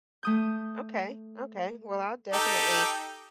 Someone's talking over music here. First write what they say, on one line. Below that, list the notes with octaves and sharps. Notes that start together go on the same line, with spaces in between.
Okay, okay, well, I'll definitely
A3 D#6 G6
D#4 G4 A4